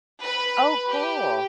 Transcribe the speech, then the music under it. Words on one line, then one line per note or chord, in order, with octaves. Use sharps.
Oh, cool.
B4
G4